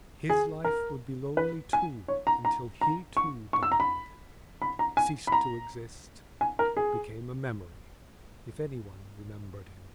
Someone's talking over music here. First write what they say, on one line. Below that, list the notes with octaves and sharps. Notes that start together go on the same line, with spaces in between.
His life would be lonely too until he, too, died, ceased to exist, became a memory--if anyone remembered him.
G#4
A#4
B4
G#5
C#5
A#5
A#5
A#5
C#6
C#6
E6
A#5
B5
B5
A#5
G#5
B5
A#5
G#5
A#4
G#4